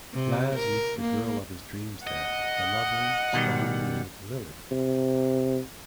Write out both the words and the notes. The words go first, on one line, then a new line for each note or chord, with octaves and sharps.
Laz meets the girl of his dreams there, the lovely, strong-willed Lily.
C3
A#4
A#3
D#5 F#5
B2 D#3 G3
C3